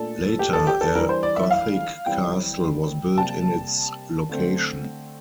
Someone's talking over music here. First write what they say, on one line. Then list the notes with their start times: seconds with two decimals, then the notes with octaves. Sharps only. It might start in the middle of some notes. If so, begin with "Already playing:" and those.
Later a Gothic castle was built in its location.
Already playing: A#2 A3 D4 A4
0.39 G4
0.53 A4
0.67 G4
0.81 A4
0.95 E3 G3 D4 A#4
1.09 C5
1.23 D5
1.36 E5
1.51 F5
2.06 E3 G3 C4 G5
3.18 C3 G3 A#3 A5
4.29 D3 A3 C4